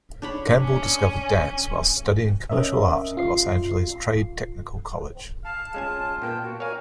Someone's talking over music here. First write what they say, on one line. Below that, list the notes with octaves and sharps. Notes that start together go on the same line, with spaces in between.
Campbell discovered dance while studying commercial art at Los Angeles Trade-Technical College.
D4 C#5 B5
C#4
C#4 A#4 D#5 E5
F4 C7
F5 A5
G#3 C#4 F4 G#5
A#2 A#3 B3 G5
F#4
A#4 C#5 D5 F5 G#5